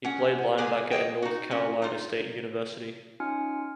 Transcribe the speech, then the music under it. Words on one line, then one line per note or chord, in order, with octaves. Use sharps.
He played linebacker at North Carolina State University.
C#4 G#4 F#5
A#2 A#3 B3 G#4 B4 G#5
G#4 C#5 D#5 G5
D#4 F#4
C#4 F#4
D#4 F4
C#4 D#4 F4 G#5 F6 C#7